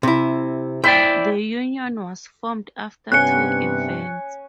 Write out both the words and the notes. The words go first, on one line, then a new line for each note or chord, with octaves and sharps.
The union was formed after two events.
C3 E4
E4 C5 D5 G5
G2 C3 B3 C#4 G#5 F#6 C#7